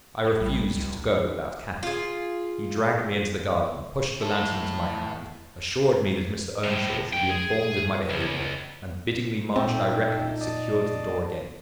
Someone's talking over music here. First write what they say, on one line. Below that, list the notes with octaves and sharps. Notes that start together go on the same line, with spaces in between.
I refused to go without Cathy; he dragged me into the garden, pushed the lantern into my hand, assured me that Mr. Earnshaw should be informed of my behaviour, and, bidding me march directly, secured the door again.
A2 C#7
A#1 G3
C#2
F4 G#4
E4 A4
A2 C3
D3 G5
G#4
C#2
A#2 C4 D#4 A4 E5 G5
D5 D#5 A5